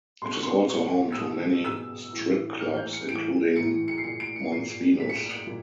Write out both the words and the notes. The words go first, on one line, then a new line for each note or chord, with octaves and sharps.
It is also home to many strip clubs, including Mons Venus.
B2 C6
C#6
C6
B2 C#6
E6
B2 D#6
B2 E6
A2 E3
A2 E3 F6
G6
C#7
A2 E3 D7
A2 E3 C#7
C#7
C7
A#2 C#7
D7
C#7
A#2 C7
A#2 B6
C#7
D7
D7
A#2